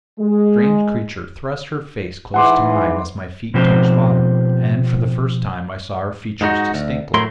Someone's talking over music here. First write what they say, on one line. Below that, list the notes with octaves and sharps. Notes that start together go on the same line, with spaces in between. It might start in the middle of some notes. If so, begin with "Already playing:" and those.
The strange creature thrust her face close to mine as my feet touched bottom, and for the first time I saw her features distinctly.
G#3
G#2 E3 F#5 C6 D6
B2 F3 C4 G4 C5
G#2 G#3 D#4 F#4
D2
A2 F#3 A3 E4 A#4 C6